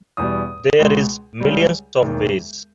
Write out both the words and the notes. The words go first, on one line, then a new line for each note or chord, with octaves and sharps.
There's millions of ways.
E2 B2 G3 D#6
C#2 B2 G#3
C#2 C#3 G3
E1 D#2 D#3